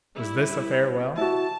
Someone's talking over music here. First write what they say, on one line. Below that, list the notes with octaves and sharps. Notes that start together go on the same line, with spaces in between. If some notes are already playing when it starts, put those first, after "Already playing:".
Was this a farewell?
G3 E4
E4 F#4 A5